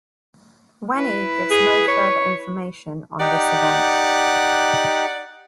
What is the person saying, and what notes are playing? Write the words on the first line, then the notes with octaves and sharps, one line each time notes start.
Weni gives no further information on this event.
E4 B4
G#4
C#5
D#4 G4 D5 F#5